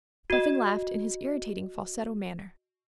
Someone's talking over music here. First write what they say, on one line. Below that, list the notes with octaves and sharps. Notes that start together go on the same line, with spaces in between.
Puffin laughed in his irritating falsetto manner.
F#4 D#5